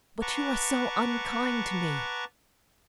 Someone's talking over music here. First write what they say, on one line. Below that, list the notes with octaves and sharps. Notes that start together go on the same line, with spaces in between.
"But you are so unkind to me!"
B4 F#5 A5 A#5 C#6 D6